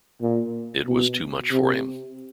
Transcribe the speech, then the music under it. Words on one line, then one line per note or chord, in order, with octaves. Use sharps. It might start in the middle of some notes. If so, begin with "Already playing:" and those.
It was too much for him.
A#2
B2
C3